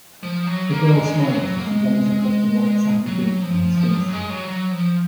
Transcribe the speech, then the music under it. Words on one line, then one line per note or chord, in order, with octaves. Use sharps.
A girl smiles as she runs across the white sandy beach in her swimsuit.
F3
F#3
A#3
G#3
F#3
F#3
A#3
G#3
F#3
F3
F3
F#3
G#3
F#3
F#3
F3